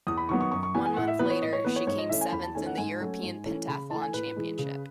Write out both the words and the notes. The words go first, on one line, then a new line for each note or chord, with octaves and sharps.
One month later she came seventh in the European pentathlon championship.
E2 D#6
B5
D#3 F#3 B3 C#6
C#6
F#2 C#6
C#6
E3 B3 G#5
G#5
A2 F#5
E5
E3 B3 B4
C#5
A2 D#5
C#5
E3 B3 B4
C#5
G#2 C#5
D#5
E3 A3 C#4 E5
G#5
E2 B5
A5
D#3 A3 C#4 G#5
F#5
G#2 G#5
F#3 A3 C#4
G#2
E3 A3 C#4
C#3 B5
E3 A3 A5
G#5
A2 B4
E3 G#3
C#3